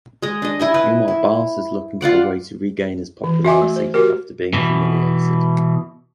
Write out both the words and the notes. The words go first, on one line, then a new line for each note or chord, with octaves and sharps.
Meanwhile, Bart is looking for a way to regain his popularity after being humiliated.
G#3 D#5
D4 D#5
E4 D#5 G#5
E4 B4 D#5
E4
F4 D5 F#5 D6
E3
F#4 E5 G#5 D6
A3
C5
F#4 G4 A#4
B2 E3